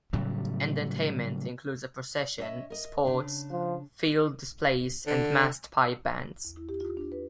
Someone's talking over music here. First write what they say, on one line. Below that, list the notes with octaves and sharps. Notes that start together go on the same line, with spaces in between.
Entertainment includes a procession, sports, field displays and massed pipe bands.
A2 C#3 F#3 G3
C#4 D#5 E5
A#4 D#5
C#3 D4
F3
D3
E2
E4
G4
F4
D4
B4